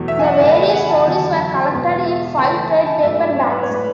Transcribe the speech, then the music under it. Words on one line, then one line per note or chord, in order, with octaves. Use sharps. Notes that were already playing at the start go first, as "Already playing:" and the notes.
The various stories were collected in five Trade paper backs.
Already playing: E2 B2 F#3 A3
E5
G#5
F#5
C#3 E3 A3 G#5
B5
G#5
F#5
A5
E2 D3 F#3 A5
E2 B2 G#3 B3
E5
C#3 E3 A3 A5
B5
A5
G#5
A5
G#2 F#3 A3 D4 E5
D5
C#5
B4
C#5
A2 G#3 D4
B4